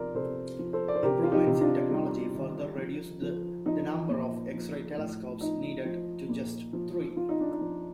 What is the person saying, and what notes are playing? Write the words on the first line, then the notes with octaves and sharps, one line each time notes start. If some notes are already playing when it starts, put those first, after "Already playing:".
Improvements in technology further reduced the number of X-ray telescopes needed to just three.
Already playing: C3 F3 F4 A#4 D5
C3 A4 C5
F3
A4 C5
D5
C5
C3 G4 A#4
F4
D#4 G4
C3
D4 F4
G3 D#4
D#3
F3
F3
F3 D#4
A#2
F3
A2
F3 D#4
F3
A#2
F3
F3 F4
D#4
D4
D#4
F3